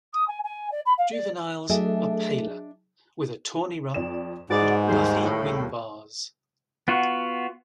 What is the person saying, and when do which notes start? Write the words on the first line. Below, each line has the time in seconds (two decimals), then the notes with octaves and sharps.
Juveniles are paler, with a tawny rump and buffy wingbars.
0.13 D#6
0.27 G#5
0.43 G#5
0.71 D5
0.85 B5
0.97 F5
1.12 D5
1.70 F#3 A3 D4 G#4 D#5 E5
3.94 F2 D5 E7
4.50 G#2 F#4 G#4 B4 D5 F#5
4.88 D#2 D#3 G3 G#3 C5
5.22 A2
6.88 B3 F4 F#4